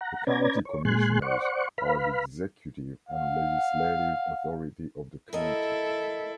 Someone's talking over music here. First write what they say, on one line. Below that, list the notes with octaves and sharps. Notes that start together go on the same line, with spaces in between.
The County Commissioners are the executive and legislative authority of the county.
F#5 A#5
C#4 B4 D5 A#5 G#6
C#5
A#2 G#3 G#5 C6 F#6
C5 D5 F#5 C#6
B4 F5 B5
F5 F#5
E4 A4 A#4 D#5